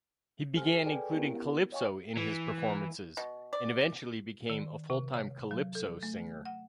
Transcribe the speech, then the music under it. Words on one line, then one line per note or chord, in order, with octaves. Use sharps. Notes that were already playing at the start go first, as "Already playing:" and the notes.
He began including calypso in his performances, and eventually became a full-time calypso singer.
G4 A4 C5 G#5 F6
G#4 A4 B4 D5 G5 G#5
B3 C#4 E4 G4 A#4
C#5 D#5 F5 G5 G#5 C#6
E3
B2
D5
D#3
C3
C#5
F#3
A4
A3
F#5